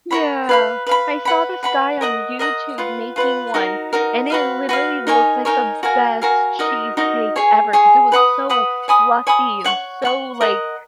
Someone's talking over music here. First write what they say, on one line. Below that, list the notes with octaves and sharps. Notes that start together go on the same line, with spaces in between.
Yeah. I saw this guy on YouTube making one, and it literally looks like the best cheesecake ever 'cause it was so fluffy and so, like
A#4 C#5 F#5 B5
B4 F5 B5
B4 F5 B5
B4 F#5 B5
B4 F#5 B5
A#4 D#5 F#5 A#5
A#4 D#5 F#5 A#5
F4 B4 F#5
F4 B4 F#5
D#4 F#4 A#4
D#4 F#4 A#4
F#4 B4 F5
F#4 B4 F5
D#4 A#4 C#5 G#5
D#4 A#4 C#5 G#5
F#4 A#4 F5 G#5
F#4 A#4 F5 G#5
D#4 F#4 A#4 D#5
D#4 F#4 A#4 D#5
G#4 C#5 G#5
G#4 C#5 G#5
B4 F#5 B5 D#6
B4 F#5 B5 D#6
C#5 G#5 B5 D#6
C#5 G#5 B5 D#6
C#5 F#5 C#6
C#5 F#5 C#6
A#4 D#5 F#5